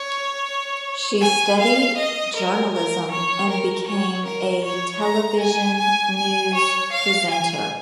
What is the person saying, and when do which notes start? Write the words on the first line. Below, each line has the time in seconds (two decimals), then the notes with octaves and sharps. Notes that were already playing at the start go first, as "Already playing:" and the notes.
She studied journalism and became a television news presenter.
Already playing: C#5
1.21 G#5
1.60 F5
1.98 D#5
2.36 A#4
2.74 A#4
3.12 C#5
3.50 A#4
3.87 C#5
4.26 A#4
4.64 C#5
5.02 A#5
5.40 G#5
5.78 G#5
6.16 G#5
6.54 C#5
6.92 F5
7.30 G#5